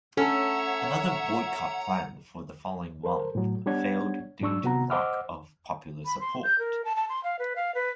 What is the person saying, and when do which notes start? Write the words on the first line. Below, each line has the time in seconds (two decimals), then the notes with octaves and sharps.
Another boycott planned for the following month failed due to lack of popular support.
0.17 C#4 A4 C#5 E5 F#5 A#5
3.03 A4 A#4 C5
3.35 A2 F#3
3.66 G3 B3 D4 C#5 F#5 G#6
4.41 G#2 F#3 D4 C#6 E6
4.63 C3 B3 F#4 F#5 A#5
4.90 C5 D#5 F#5 D6 E6 F6
6.05 B5
6.20 C6
6.44 G6
6.59 A#4
6.85 A5
6.96 A5
7.10 C6
7.24 F5
7.39 B4
7.56 F5
7.75 B4